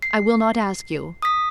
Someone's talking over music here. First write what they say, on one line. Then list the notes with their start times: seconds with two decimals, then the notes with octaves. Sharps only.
"I will not ask you."
0.02 C7
1.22 D#6 B6